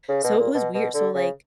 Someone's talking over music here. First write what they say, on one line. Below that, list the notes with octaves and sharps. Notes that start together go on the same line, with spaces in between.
So it was weird. So like,
C#3
B2
A#2
B2
B2
D3
C#3